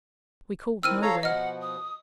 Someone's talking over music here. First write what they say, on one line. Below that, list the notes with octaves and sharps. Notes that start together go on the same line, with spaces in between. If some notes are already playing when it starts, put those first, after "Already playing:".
'We called nowhere.
D#3 C4 E4 E6 F6 D#7
A4 C#5 F5 A#5
B2 F3 D#5 F#5 F6
D#6